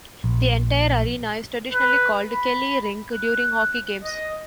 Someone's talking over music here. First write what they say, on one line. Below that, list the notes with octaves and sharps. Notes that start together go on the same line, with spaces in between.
The entire arena is traditionally called "Kelley Rink" during hockey games.
A#1
B4
B5
F#6
D#5